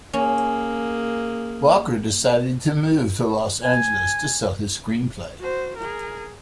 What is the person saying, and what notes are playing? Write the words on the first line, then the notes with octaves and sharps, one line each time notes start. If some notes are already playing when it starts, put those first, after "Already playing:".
Walker decided to move to Los Angeles to sell his screenplay.
A#3 C#4 G#4
G#5
F#4 C5
G#4 A#4